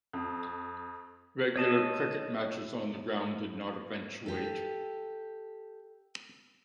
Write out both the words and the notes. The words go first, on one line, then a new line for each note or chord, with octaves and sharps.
Regular cricket matches on the ground did not eventuate.
F2
C#5 D#5 A5
G4 A4